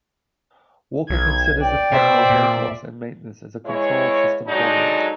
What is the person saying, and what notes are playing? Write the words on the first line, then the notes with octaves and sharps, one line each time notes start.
Walker considers the problem of weight loss and maintenance as a control system problem.
B1 G#6
D5 G5
B2 C5 E5
A#2
E2 G#3 E4 C#5
D3 F#3 G#3 D4 D#4